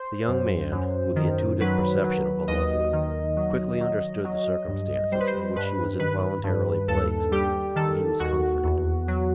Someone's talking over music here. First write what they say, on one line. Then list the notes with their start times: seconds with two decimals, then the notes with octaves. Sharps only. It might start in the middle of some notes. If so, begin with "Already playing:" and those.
The young man, with the intuitive perception of a lover, quickly understood the circumstances in which she was involuntarily placed, and he was comforted.
Already playing: C5
0.28 F#2
0.72 F#2
1.16 D#3
1.60 F#3 B4
2.04 F#3
2.48 D#2 D#5
2.93 D#3
3.37 F#3
3.80 F#3
4.24 F#3
4.68 G2
5.12 G3 C5
5.20 B4
5.27 C5
5.56 G2 B4
5.99 D#3 B4
6.44 G2
6.88 D#2 A4
7.31 G3 G4
7.75 D#3 A4
8.20 D#2 F#4
8.64 E2
9.08 F#3